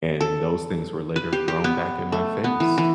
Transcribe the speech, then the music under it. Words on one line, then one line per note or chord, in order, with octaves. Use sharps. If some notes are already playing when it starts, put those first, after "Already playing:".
and those things were later thrown back in my face.
A4
B4
G4
G4
B3
A3
B3
E3
E3